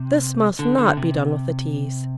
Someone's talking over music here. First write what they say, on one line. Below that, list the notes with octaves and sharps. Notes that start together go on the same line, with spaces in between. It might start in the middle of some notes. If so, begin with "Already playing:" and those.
This must not be done with the Teas.
Already playing: C3
D3
D3
C3